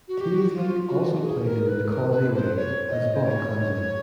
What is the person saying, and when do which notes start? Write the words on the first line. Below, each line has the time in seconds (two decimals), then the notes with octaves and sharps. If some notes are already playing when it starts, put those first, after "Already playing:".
Teasley also played in The Causey Way as Boy Causey.
0.08 F#4
0.21 G4
0.31 F#4
0.54 F4
0.88 F#4
1.21 G#4
1.44 A#4
1.66 B4
1.89 A#4
2.12 B4
2.34 C5
2.56 C#5
2.91 D#5
3.14 C5
3.24 C#5